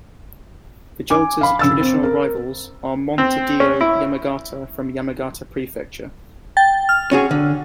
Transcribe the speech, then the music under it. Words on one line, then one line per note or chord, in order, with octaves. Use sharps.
Vegalta's traditional rivals are Montedio Yamagata from Yamagata Prefecture.
G#5 D6
F5 B5
C#3 E6 A6
C4
A#4
C4
C#4
E4
G5 A6
F6
C#4 F#4 G#4
D3